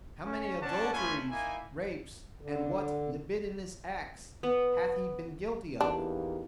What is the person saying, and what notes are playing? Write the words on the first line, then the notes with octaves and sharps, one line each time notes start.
How many Adulteries, Rapes, and what Libidinous Acts hath he been guilty of?
C#4
C#4 D4 D5 F#5 A5
A3 C#4 F4 G#5 B5 C6
A#3 D#4 E4 G#5
D3
B3
E2 A#3 D4 D#4 G4